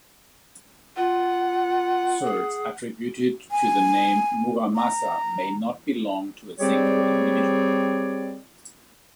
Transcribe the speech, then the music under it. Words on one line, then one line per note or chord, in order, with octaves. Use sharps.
Swords attributed to the name Muramasa may not belong to a single individual.
F4 F#5
G#4
G#5
A#5
G3 C4 G4 G#4 C#5 D5